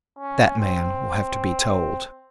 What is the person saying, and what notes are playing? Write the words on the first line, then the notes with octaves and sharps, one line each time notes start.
That man will have to be told!
C#4
C4